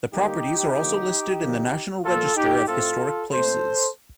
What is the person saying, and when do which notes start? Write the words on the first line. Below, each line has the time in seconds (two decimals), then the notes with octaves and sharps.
The properties are also listed in the National Register of Historic Places.
0.13 D3 G3 A#3 D#4 G4
0.77 D3 F3 A#3
1.40 D3 F3 A#3
2.04 A#2 F3 A#3 F4 A4
2.35 D#4 G4
2.67 A2 A3 C4 F4 A4
3.31 A#2 A3 C4 A4 C5